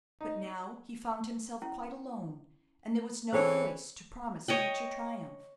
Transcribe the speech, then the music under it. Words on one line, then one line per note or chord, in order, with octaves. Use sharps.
But now he found himself quite alone; and there was no voice to promise future triumph.
D#4
C#4 E4
E3 C4 D4 G#4 A4 C5 C#5 C#6
C#5 D#5 G5